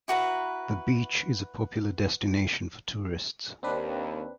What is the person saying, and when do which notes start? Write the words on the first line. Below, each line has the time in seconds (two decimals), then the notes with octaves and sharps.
The beach is a popular destination for tourists.
0.08 E4 F#4 B4 A#5
3.63 D#2 C4 D4 B4